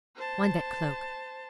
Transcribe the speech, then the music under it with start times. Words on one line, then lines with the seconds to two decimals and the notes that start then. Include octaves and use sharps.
Mind that cloak!
0.16 C5 A5